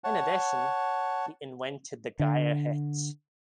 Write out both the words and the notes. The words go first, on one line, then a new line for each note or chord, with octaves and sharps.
In addition, he invented the Geier Hitch.
C#5 F#5 A5
D3